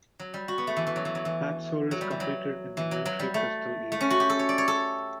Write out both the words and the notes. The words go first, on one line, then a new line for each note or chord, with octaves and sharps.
Patsouris competed in the military pistol event.
F#3
G3
F#4
B3
A3
E3
E3
F#3
E3
F#3
E3
F#3
G3
E3
F#3
E3
F#3
F#3
G3
A3
A3
C#4
F#4
G4
A4
C#5
D5
C#5
A4